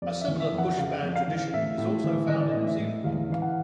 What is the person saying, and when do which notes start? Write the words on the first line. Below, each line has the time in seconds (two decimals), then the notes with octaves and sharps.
A similar bush band tradition is also found in New Zealand.
0.02 F2 D5
0.21 E5
0.28 E3
0.40 E5
0.53 F2
0.58 F#5
0.78 C#3 F5
1.03 F2
1.16 F5
1.27 E3
1.54 A2 E5
1.78 A2
2.04 E3
2.29 E3 D#5
2.40 D5
2.51 A2 D#5
2.66 E5
2.79 A2
3.04 E2 F5
3.30 E3 F5
3.42 F#5